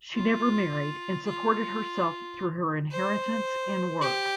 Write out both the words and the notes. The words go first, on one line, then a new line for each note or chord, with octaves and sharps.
She never married and supported herself through her inheritance and work.
F4
F4
C5
G4